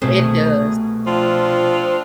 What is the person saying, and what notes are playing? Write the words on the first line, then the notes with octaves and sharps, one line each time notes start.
It does.
C2 B2 A3 G#4 C5
F3 C4 D4 F4